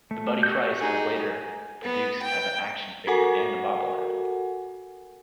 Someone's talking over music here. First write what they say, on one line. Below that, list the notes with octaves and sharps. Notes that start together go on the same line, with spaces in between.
The Buddy Christ was later produced as an action figure and a bobblehead.
A3
F#4 G4 G6
D#4 G#4
B3
G5
F#4 A4 A#4 F#5 G#5